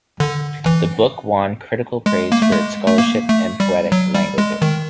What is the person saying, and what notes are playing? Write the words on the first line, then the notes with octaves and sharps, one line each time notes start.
The book won critical praise for its scholarship and poetic language.
D3
E3
G#3
A#3
A3
G#3
A3
A#3
A3
G3
F#3
G3
G#3
D#3